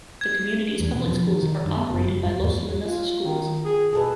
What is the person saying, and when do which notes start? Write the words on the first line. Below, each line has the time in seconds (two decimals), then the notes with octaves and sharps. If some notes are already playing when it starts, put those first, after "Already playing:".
The community's public schools are operated by Los Lunas Schools.
0.21 G#6
0.80 E2
0.93 B2
1.08 F3
1.28 D#3
1.43 D#3
1.65 G2
1.77 B3
1.90 F#1
2.07 G3
2.25 G#2
2.40 E2
2.86 F4
3.25 D#3
3.65 G#4
3.93 B2 G#4 A4 B4